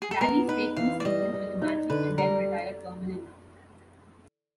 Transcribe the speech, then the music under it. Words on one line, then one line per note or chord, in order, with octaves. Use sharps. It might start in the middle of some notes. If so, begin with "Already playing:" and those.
Daly stayed two seasons with the Magic and then retired permanently.
G#4
A4
B3 A#4
D#4 B4
E3 F5
D5
G3 D#5
G3
D#4
D3 B4
G3 A#4